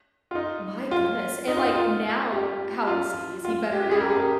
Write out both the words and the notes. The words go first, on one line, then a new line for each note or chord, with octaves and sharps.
my goodness, and, like, now, how is he? Is he better now
F4
D#4
F4
D#4
F4
D#4
F4
G4
F4
F4
G4
G4
G#4
A#4
G#4
G4